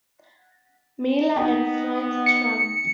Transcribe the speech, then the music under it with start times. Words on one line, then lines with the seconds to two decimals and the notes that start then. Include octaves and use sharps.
Miller and Fred Trump.
1.36 B3 D#4 D#5 G5
2.26 C#7